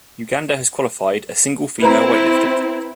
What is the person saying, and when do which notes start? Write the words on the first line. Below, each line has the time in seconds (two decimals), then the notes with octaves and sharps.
Uganda has qualified a single female weightlifter.
1.82 C4 E4 B4 C5 A#5